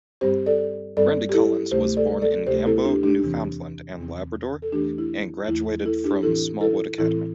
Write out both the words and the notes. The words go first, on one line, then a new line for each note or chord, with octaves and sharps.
Randy Collins was born in Gambo, Newfoundland and Labrador and graduated from Smallwood Academy.
G2 G3 C4 G4 C5
A4 D5
G2 G3 C4 A4 D5
G4
E4 A4
D2 C3 A3 G4 C5
A4 D5
A4 D5
D2 C3 A3 G4 C5
E4 A4
D4 G4
D4 G4
E2 C3 E3 C4
E2 C3 E3 C4
A4
E2 E3 A3 D4 G4
E4
E2 E3 A3 E4
E4 A4
D4 G4
A2 E3 C4 E4 A4
E4 A4
A2 E3 C4 E4 A4